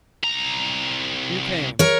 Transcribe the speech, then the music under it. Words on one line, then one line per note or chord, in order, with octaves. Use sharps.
You came.
C2 A#5
A#4 C#5